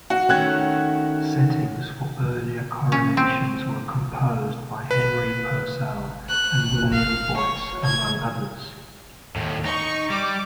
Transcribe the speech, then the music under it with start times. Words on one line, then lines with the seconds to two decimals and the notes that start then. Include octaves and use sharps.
Settings for earlier coronations were composed by Henry Purcell and William Boyce, among others.
0.10 F#4
0.29 D#3 A3 C#4 G5 F#6 G#6
2.92 C#4
3.17 C4
4.91 B4
6.29 F#6
6.92 F5
7.36 C#5
7.84 G#6
9.36 D#2 A2
9.66 D#4 C#6
10.10 G3 D6